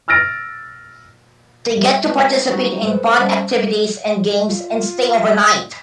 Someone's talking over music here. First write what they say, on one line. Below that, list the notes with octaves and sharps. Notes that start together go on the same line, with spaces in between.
They get to participate in fun activities and games and stay overnight.
E6 F6 A6 A#6 D7
G3 G4 E5
G#3 C4 F#4 B4 A5
F#3 G3 B3 C#4 D#4 F#4
G#3 A4 B4 C5
G3 C#4 C5 D5 D#5 A5
F4